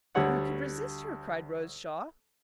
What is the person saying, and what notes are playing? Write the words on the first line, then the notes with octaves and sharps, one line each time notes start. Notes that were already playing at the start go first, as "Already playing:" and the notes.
"But who could resist her?" cried Rose Shaw.
D2 G3 C#5 F#5